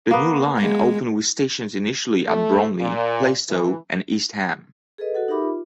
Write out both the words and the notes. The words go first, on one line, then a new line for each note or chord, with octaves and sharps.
The new line opened with stations initially at Bromley, Plaistow and East Ham.
A#3 B3
G#3
A3
A#2
E3
G#4 A4 B4 D#5
F#4 A4 F#5
D#4 G4 A#4 E5 B5 D6
F4